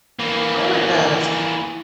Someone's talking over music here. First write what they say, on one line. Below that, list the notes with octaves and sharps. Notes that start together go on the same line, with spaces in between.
No. It does.
E3 A#3